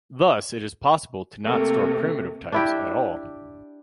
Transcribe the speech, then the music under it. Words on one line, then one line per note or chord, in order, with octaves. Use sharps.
Thus, it is possible to not store primitive types at all.
C3 A3 A#3
D4 E4 G4